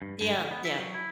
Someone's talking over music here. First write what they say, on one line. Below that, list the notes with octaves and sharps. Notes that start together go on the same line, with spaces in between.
Yeah, yeah,
G2
G2
D3
B3
E5
F#3
E4